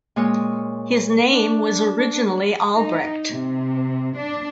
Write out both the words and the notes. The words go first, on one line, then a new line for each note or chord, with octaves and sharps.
His name was originally Albrecht.
A#2 G#3 C#5 D#6
D4
D#4
C3
D4